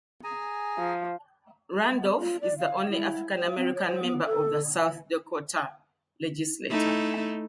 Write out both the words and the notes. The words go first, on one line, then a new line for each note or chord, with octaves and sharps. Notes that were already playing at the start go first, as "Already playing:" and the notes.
Randolph is the only African American member of the South Dakota Legislature.
G#4 G#5 A#5
F3
F4
D5
F5
E4
C5
C4
C#5
C5
B3
A4
A3 D#4 E4